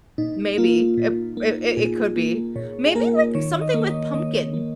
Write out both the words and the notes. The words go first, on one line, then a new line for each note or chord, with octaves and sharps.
Maybe. Ip it it it could be. Maybe, like, something with pumpkin.
A#2 D#4
A#3 F4
A#2
A#3
A#2 G#4
A#3
A#2 C#5
G#4
A#3 A#4
D#3 C#5
D#5
A#3
D#5
D#3 D#5
A#3